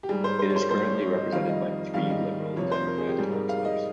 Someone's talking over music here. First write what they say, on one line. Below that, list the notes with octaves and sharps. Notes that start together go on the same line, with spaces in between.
It is currently represented by three Liberal Democrat councillors.
G4
G#2 G3 G#4
C5
C5
C#5
C5
A#4
G#2 G3 C5
C#5
C#5
D#5
F2 D#3 G3 F5
D#5
G#2 D#3 G3 F5
D#5
F2 C3 F3 C#5
C5
A#4
G#4
G4
G#2 G3 G#4
A#4
F5
D#5